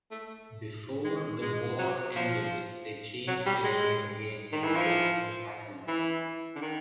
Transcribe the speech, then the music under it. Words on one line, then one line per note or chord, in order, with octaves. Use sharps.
Before the war ended they changed their name again to Racing Catalan.
A3
G#3
G#3
F#3
F3
F#3
G3
G#3
D#3
E3
F3
E3
D3
D#3